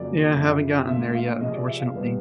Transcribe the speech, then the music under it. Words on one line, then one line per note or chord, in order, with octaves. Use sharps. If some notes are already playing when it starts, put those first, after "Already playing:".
Yeah, haven't gotten there yet, unfortunately.
Already playing: F2 C#3 F#3 A#3 C#4 D5
F#2 C#3 F3
A#2 F3 A3 D4 F4 E5
F5
C3 F3 G#3 D#5
D5
E5
F5
G2 D#3 G3 B3